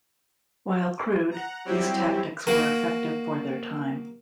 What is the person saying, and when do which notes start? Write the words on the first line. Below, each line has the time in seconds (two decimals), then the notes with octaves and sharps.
While crude, these tactics were effective for their time.
1.31 F#5 A#5
1.65 F#3 G3 C4 E4 G4
2.47 A#3 F#4 A#4